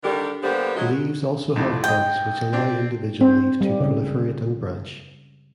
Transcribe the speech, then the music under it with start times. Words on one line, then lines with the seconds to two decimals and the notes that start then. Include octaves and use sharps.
Leaves also have buds which allow individual leaves to proliferate and branch.
0.03 D3 D#3 G3 D4 G4 A#4
0.42 D3 G3 A#3 B3 G4 C5
0.77 F#3 G#3
1.56 F2 A2 D3
1.84 G#1 D#5 G5
2.53 C4 D4 G4
3.21 C4
3.61 G3
3.80 C#3